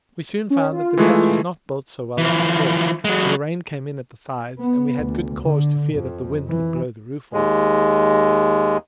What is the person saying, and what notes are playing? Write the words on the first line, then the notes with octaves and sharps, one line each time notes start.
We soon found that The Nest was not built so well as we thought, for the rain came in at the sides, and we had good cause to fear that the wind would blow the roof off.
C#4
F4
E3 G#3 A3
E3 F3
F#3 G#3
B3
D2
D3
F2
E3
D#2 G#3